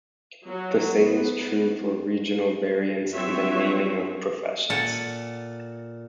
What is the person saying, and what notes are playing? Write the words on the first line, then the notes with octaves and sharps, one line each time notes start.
The same is true for regional variants in the naming of professions.
F#3
B3
F#3 C4 F4 F#4 C#5 E5
A#2 A4 F#5